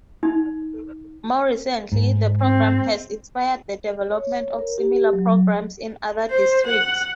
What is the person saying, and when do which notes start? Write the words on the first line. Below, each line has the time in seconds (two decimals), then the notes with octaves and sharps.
More recently, the program has inspired the development of similar programs in other districts.
0.23 D#4
1.92 G#2
2.41 C4
4.11 C#5
4.59 A#4
4.78 G4
5.13 F#3
6.30 C5
6.67 F#5